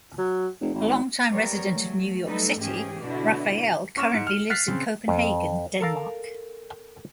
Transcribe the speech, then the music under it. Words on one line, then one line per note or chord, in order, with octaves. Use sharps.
A long-time resident of New York City, Raphael currently lives in Copenhagen, Denmark.
F#3
F1
G#1
F#3 G3 B3 A#4 C#5 D5
F#3 A3
F#3 G3 A3 D#4 A4 B4
G#2 E3 C#4 G4 G#4
B2 D3 D4 E4 F#4
C#4 C#6 D6 F6 E7
G#2 C#7 D7
F6
F6 F#6 A6 B6 C7
C#3 C4
F2
A4 A#4 F5